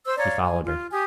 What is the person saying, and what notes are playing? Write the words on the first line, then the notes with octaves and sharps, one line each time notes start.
He followed her.
C5 E6
C#5 D5 F5 A#5
G#5
F4
G4 G#5 D#6